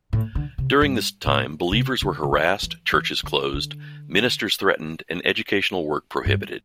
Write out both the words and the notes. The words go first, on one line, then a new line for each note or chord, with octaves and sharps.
During this time believers were harassed, churches closed, ministers threatened, and educational work prohibited.
A2
D3
C3
G2
A2
C3
D3
D3
E3
E3
E3
D3
D3
G2